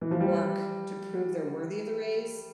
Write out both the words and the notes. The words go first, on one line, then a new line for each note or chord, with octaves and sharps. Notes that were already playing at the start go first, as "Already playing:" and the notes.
work to prove they're worthy of the raise,
E3
F3
G3